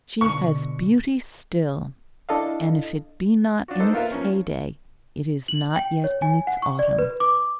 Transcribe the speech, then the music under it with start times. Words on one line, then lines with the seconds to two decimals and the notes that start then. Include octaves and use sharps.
She has beauty still, and if it be not in its heyday, it is not yet in its autumn.
0.21 B2 D3 C#6
2.29 D4 E4 A4 D#5 F5
3.68 D4 F4 F#4
3.80 B3 D#4 A4 C5
3.93 A#3 B3 F4 A#4 E5 F5
4.12 F3 A#3 C#4
5.48 F#7
5.76 G5
6.04 C#5
6.22 G#5
6.47 F#5
6.62 C#6
6.79 D5
6.99 B4
7.20 D6